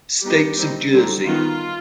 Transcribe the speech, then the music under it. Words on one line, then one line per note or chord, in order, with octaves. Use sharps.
States of Jersey.
G3 B3 D#4 G4
G3 C4 D#4
D3 G3 C4 D#4
D#3 B3 D#4 F4